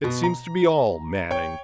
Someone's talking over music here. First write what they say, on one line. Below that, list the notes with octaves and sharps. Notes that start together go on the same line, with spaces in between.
"It seems to be all Manning!"
B2
A#5
C#5 G5